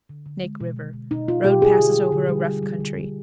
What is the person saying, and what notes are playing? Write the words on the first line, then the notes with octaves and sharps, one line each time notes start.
Snake River.--Road passes over a rough country.
D3
D3
G#3
B2
B2
B2
B2 D#4
B2 F4
B2 G4
B2 G#4
D3
D3
D3
G3
G3
G3
D3
G3